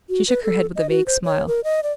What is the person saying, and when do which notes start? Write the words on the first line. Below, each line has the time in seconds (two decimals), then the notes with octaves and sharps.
She shook her head with a vague smile.
0.09 F#4
0.28 B4
0.44 A4
0.76 D#5
0.90 F#4
1.07 C5
1.24 C#5
1.47 A#4
1.64 D#5
1.83 D5